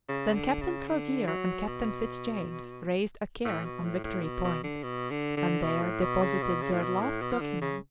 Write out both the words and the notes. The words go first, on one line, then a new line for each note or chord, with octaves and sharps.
Then Captain Crozier and Captain Fitz-James raised a cairn on Victory Point, and there deposited their last document.
C#3
D3
C#3
D3
F#3
B2
A2
B2
A2
A2
B2
B2
D3
B2
D3
D3
B2
A2
B2
C#3
B2
C#3
A2
B2
A2
B2
F3
D3
C#3